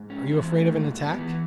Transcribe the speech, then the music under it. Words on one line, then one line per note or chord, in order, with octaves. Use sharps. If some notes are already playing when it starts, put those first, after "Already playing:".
Are you afraid of an attack?
Already playing: G#2
C#4
E3 C4
A3
G#2 A#3
B3
E3